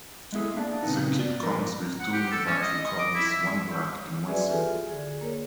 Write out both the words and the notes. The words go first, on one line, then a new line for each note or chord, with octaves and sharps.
The kit comes with two new battery covers, one black and one silver.
G#3 B3 E4 G#4 A4
A#3 D4 E4 D5 A5
A#2 C#3 E3 B3 C4 D#4
G2 D5
A#2 F3 D4 A#4 B4
F#5
G4
A4
C#4
D#5
D#5
D6
E4
E5
E6 F6 G6
F#4 G#4 B4 D5 E5 G#5
F4 G4 A4 B4 E5 G#5
D3 G#4
A#3 A#4 C#5